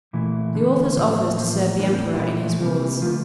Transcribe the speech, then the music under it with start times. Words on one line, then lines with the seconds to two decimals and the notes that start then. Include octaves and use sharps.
The author's offers to serve the emperor in his wars.
0.13 A#2 E3 A3 E4
0.55 D3 A3
0.96 A2 F3 A#3
1.37 A2 F3 A#3
1.78 A2 E3 A#3 D4
1.92 C4
2.06 D4
2.14 F4
2.19 A#2 E3 F3 A3 E4
2.61 C3 G3 A#3
3.01 D3 F3 A3 F4